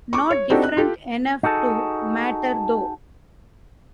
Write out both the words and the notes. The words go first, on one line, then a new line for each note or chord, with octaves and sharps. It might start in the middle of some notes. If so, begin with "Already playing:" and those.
Not different enough to matter though.
C#6 D6
C#5
C4 D4 D#4 F#4 G4 A4
F#6
F4 G4 A4
D#4 F#4 G#4 A4